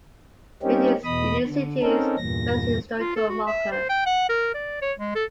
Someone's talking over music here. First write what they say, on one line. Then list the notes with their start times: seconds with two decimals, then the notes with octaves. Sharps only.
It is Union City's first historical marker.
0.63 G3 A#3 C4 C#4 D#4 G4
1.04 E2 B2 D#5 B5 D#6
1.46 D3
1.82 C4 C#4 D#4 A4 A#4
2.18 E2 G2 A#2 A#6
2.99 F4
3.16 A4
3.29 F#4
3.47 E5
3.72 C5
3.89 G5
4.06 F#5
4.29 A#4
4.55 D5
4.82 C#5
4.99 G#3
5.15 A4